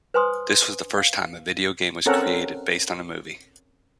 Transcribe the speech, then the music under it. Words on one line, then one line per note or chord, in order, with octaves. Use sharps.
This was the first time a video game was created based on a movie.
B4 C5 G#5 C6 D#6
F5
C4 C#4 A4 A#4 F#5